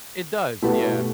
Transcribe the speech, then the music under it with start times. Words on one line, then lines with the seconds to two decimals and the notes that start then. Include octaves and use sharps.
It does, yeah.
0.62 B2 A3 E4 G4 B4